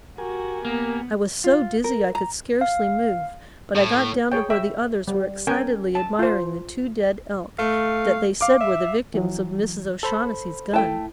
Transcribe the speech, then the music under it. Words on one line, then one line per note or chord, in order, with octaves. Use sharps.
I was so dizzy I could scarcely move, but I got down to where the others were excitedly admiring the two dead elk that they said were the victims of Mrs. O'Shaughnessy's gun.
F#4 G4 A#4 G#5
A#3 B3
F4
A#4
A#5
F5
A2
G#4 C#5 G5
E5 G5
G3
C#4 A#4 G5 G#5
A5
F4 C5
A3 F5
F5 D6
E5
E3 F#3
A4 C5 B5
A3 E4 G5 A5